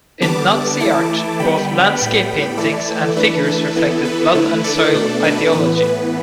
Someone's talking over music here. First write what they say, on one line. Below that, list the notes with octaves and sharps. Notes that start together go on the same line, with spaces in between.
In Nazi art, both landscape paintings and figures reflected "blood-and-soil" ideology.
D3 G3 B3 A5 D6
E3 A3 E4 A5 D6
D3 G3 B3 G5 B5
A2 G3 B3 G5 B5
E3 A3 E4 A4 D5
E3 A3 D4 B4
A4
E3 B3 E4
B4
D3 A3 E4
A4 D5
B2 A3 D4
B4
A2 E3 B3 B4
B4